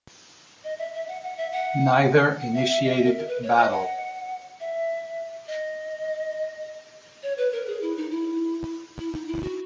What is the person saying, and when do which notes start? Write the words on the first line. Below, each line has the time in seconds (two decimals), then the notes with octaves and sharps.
Neither initiated battle.
0.64 D#5
0.78 E5
0.94 E5
1.08 F#5
1.24 F#5
1.37 E5
1.52 F#5
2.41 F#5
2.54 E5
2.69 E5
2.84 D#5
2.95 E5
3.06 A#4
3.17 A#4
3.28 B4
3.43 C#5
3.57 D#5
3.72 F#5
4.60 E5
5.47 D#5
7.23 C#5
7.38 B4
7.52 A#4
7.67 G#4
7.82 E4
7.97 D#4
8.11 E4
8.99 E4
9.13 D#4
9.28 E4
9.42 F#4